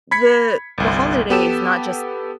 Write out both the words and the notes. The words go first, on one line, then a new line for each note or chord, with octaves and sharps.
the the holiday is not just
B5 G#6 B6 C#7
G1 C2
B3 G4 A4 E7